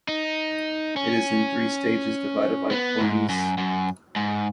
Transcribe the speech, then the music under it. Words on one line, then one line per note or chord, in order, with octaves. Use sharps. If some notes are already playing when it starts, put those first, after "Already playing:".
It is in three stages divided by cornices.
D#4
C#4
B3
G#2
F#2
F#2
G#2